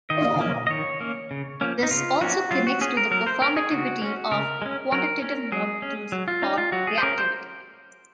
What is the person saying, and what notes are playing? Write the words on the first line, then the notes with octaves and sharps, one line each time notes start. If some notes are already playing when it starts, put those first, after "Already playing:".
This also connects to the performativity of quantitative models or reactivity.
D#3 D#5
A#3 C#4
D#5
D#3 C#5
A#3 C#4
C#3
F3 A#3 C#4
D#4
C#3 F4
F3 A#3 C#4 F#4
F#3 F4
F#4
C#4 G#4
A#4
F#3 A#4
C5
C#4 A#4
G#4
C#3 F#4
G#3 C#4
C#3 A#4
G#3 C#4
F#3 A#4
C#4
F#3 G#4
C#4
F#3
F4
C#4 D#4
F4
F#3 F#4
G#4
C5
C#4 A#4
C5